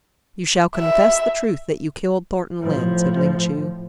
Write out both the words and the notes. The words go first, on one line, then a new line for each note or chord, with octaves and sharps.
"You shall confess the truth that you killed Thornton Lyne," said Ling Chu.
E5
A2 F3